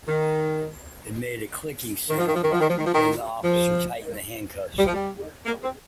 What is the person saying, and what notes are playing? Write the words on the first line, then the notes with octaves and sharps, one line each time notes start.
It made a clicking sound when the officer tightened the handcuffs.
D#3
D#3
F3
D#3
F3
D#3
F3
D#3
F3
D#3
F3
D#3
F3
G3
F3
G3
A#3
C4